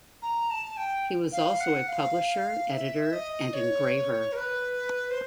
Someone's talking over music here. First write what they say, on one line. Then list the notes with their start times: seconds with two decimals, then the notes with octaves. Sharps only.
He was also a publisher, editor and engraver.
0.22 A#5
0.50 A5
0.77 G5
1.32 F5
1.60 F#5
1.87 F5
2.70 E5
3.12 D#5
3.53 C#5
4.32 A#4
4.36 B4
5.10 C5